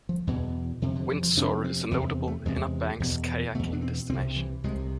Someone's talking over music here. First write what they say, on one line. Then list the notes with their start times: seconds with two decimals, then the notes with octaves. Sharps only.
Windsor is a notable Inner Banks kayaking destination.
0.09 F3
0.27 E2 B2 E3
0.82 F2 C3
0.96 D3
1.10 E3
1.23 F3
1.37 F2 C3 D4
1.64 C4
1.91 E2 C3 B3
2.27 A3
2.45 E2 C3 G#3
3.00 E2 B2
3.55 B2 A3
3.59 E2
3.73 D4
3.82 C4
4.09 C2 C4
4.13 C3
4.36 E3
4.64 C2 C3 G#3